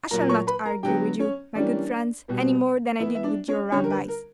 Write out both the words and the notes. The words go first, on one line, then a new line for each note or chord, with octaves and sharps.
I shall not argue with you, my good friends, anymore than I did with your Rabbis.
A#2 F#3 A#3 A#4 A#5
C#5 C#6
B4 B5
A#4 A#5
D3 F#3 B3 G4 G5
C#4 C#5
E3 G3 A#3 C#4 D4 D5
B2 G3 B3
E3 B3 E4 E5
E5
D4 D5
C#4 C#5
D3 G3 C#4 C#5
A#4
B4
A#4